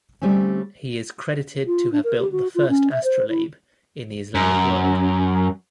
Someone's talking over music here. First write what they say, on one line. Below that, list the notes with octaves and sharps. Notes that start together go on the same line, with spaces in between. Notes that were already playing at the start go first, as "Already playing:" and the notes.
He is credited to have built the first astrolabe in the Islamic world.
D3 G3 A3 C4 C#4
F4
D4
A#4
G4
F#4
F4
C#4
E5
C5
E4
F#2